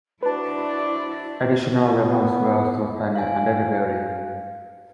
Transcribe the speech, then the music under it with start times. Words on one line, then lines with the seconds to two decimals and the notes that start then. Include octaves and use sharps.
Additional weapons were also planned under the belly.
0.23 D4 E4 F#4 B4 C5 D5 A5
2.02 B3
3.15 F5 G#5